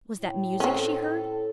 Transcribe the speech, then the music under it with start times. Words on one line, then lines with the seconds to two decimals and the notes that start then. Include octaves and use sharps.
Was that music she heard?
0.17 A2
0.60 C4 C#4 A4